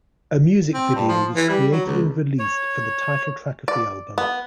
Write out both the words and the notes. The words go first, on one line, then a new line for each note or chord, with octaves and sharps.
A music video was created and released for the title track of the album.
C4
G2
F3
E3
G3
F#3
C#2
C#5
D5
B3